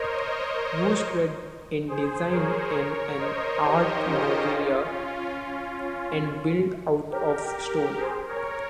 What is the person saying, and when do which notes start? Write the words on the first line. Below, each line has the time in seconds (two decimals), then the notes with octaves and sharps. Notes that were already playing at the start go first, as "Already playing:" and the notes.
Most were in designed in an Art Nouveau and built out of stone.
Already playing: A#4 C5 C#5 D#5
0.14 C5 D#5
0.57 A#4 C#5
1.88 G#4 C5
2.31 A#4 C#5
2.75 A#4 C#5
3.18 C5 D#5
3.62 D#4 G4
4.06 C#4 F4
7.11 G4 A#4
7.97 G#4 C5
8.27 A#4 C#5